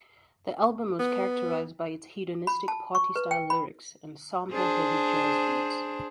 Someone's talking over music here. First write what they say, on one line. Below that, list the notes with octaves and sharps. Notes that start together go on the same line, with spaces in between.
The album was characterized by its hedonistic party-style lyrics and sample-heavy jazz beats.
B3
B5
A5
C#6
B4
G5
B5
D4 G#4 C5